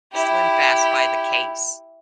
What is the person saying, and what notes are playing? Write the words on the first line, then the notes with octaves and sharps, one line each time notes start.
SlimFast by the case.
E4 G4